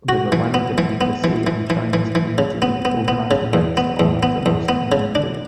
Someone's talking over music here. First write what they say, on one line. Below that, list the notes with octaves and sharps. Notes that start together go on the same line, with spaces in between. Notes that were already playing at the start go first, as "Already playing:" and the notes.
The Rwandan embassy and Chinese communities organized events to honor the lost and injured.
F#4
E3
B3
E3
B3
E3
E3
E3
E3
E3
C#3
B3
B3
B3
C#3
E2
B3
E2
B3
E2
B3
C#3
D4